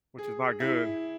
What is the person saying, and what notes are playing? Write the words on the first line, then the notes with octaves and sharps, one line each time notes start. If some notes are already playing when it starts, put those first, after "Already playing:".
which is not good,
G#4
E4